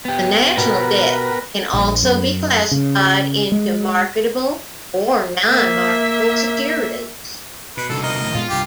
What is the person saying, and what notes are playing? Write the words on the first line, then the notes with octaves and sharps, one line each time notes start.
The national debt can also be classified into marketable or non-marketable securities.
B3 G4
B2 A#4 B4
A#1
F#2
C#3
G#3
A#3 E5
B2 B4
C2 D3 A4
A#4 D#5
D#2 A2
A#2 G#3 B3 F4
C2 G2 G4